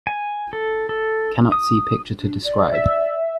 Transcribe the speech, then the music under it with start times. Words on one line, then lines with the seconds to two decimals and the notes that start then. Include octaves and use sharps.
Cannot see picture to describe.
0.07 G#5
0.53 A4
0.89 A4
1.52 D#6
2.21 D4
2.44 D5
2.72 E5